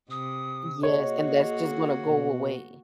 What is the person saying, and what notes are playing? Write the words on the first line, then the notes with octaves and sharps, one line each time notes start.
Yes, and that's just gonna go away.
C3 D#6
A#3 F#4 G#4 C#5 D#5
B2